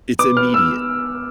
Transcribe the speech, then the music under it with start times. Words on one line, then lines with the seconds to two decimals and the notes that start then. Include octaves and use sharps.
It's immediate.
0.19 B3 D6
0.37 B3 F6
0.54 B3 E6